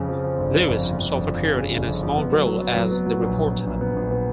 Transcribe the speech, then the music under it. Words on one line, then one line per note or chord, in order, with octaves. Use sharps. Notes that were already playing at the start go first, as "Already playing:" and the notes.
Lewis himself appeared in a small role as "The Reporter".
Already playing: F2 C#3
F3
F3
G1
G1
F2
F3
F2
G1
F3
C#3
C#3
G1
F2
F3
B3
F#3
F#3
B3
F#3
B3
F#3
A#1
A#1
B3
A#1
B3
A#1
B3